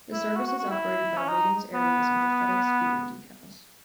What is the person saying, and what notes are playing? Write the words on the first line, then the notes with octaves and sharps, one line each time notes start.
The service is operated by Wiggins Airways under FedEx Feeder decals.
E4
F#4
F#4
F#4
E4
C#4
D#4
B3